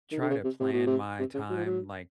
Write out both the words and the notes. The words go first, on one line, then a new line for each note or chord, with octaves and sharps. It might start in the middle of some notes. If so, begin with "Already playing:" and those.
try to plan my time, like,
D#3
D3
C#3
C3
C3
B2
C3
C3
C#3
F#3
F3
F#3